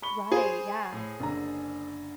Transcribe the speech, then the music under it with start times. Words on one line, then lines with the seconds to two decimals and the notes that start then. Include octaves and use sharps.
Right, yeah.
0.02 B5 C#6 G7
0.32 G#4 C5
0.93 A2
1.20 F#1 D3 A#5